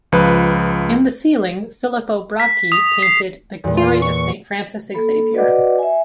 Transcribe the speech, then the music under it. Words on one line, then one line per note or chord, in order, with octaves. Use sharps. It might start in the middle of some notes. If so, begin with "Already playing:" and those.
In the ceiling, Filippo Bracci painted "The Glory of Saint Francis Xavier".
C#2 F3 B4
B6
D#6
C7
E2 A#2
F4
C#6
A#3 A4 B5
F#4 B4 D5 D#5 F#5 D6
E5 G#5